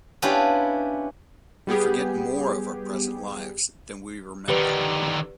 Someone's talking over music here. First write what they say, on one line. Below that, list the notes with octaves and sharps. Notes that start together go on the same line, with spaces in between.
We forget more of our present lives than we remember.
B3 C#4 D4 E4 F4 G4
G3 B3 G4 G#4
D3 D#3 G4 B4 D5